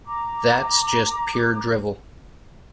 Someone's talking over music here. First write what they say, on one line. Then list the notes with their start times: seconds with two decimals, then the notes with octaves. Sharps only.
That's just pure drivel!
0.07 A#5 D6